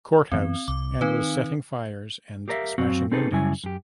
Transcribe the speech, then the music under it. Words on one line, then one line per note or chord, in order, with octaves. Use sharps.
Courthouse and was setting fires and smashing windows.
F#2 E3 B3 C4
C2 D6
D#3 C4 D#4 B4
G4 G#4 A#4 D5 E5 F5
F#2 C4 F#4 F5
C4 D#4 G#4 A4 B4
F#2 C#3 G3 E4 G#5
F#2 G4